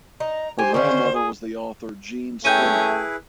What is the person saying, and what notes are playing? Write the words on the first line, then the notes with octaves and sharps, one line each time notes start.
Her grandmother was the author Jean Spender.
D#4 A#5
G4 C5 G#5
D3 D#3 C#4
G#4
A3 C#4 E4 G#4 B4 G5 G6 D#7